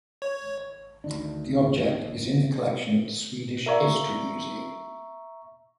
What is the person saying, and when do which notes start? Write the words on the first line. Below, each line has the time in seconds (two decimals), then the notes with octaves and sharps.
The object is in the collection of the Swedish History Museum.
0.22 C#5
1.04 D2 D#3 D4
1.74 F1 D#2 C3
1.97 A#1
3.66 A#4 D5 E5 F5 A#5 C#6